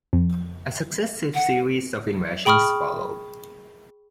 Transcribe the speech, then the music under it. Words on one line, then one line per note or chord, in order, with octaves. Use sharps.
A successive series of invasions followed.
F2
F#5
G#4 G5 B5 C#6 D#6 F6